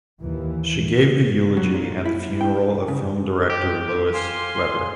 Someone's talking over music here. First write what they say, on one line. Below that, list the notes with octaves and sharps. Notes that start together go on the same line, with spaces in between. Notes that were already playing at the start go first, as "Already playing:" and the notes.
She gave the eulogy at the funeral of film director Lois Weber.
D#2 E3
F#3
A#2
E4
G5
C#3
G4
F5 G#5 C6